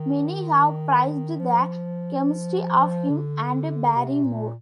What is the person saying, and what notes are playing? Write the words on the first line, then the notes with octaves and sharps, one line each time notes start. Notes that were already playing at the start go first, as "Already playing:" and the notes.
Many have praised the chemistry of him and Barrymore.
Already playing: D#3
F3
D3
C3
A#2